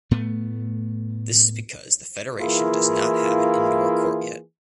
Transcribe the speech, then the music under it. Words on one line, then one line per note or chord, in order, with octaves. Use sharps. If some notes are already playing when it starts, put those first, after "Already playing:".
This is because the federation does not have an indoor court yet.
A2 A3 B3
E3 A#3 E4 F4 G#4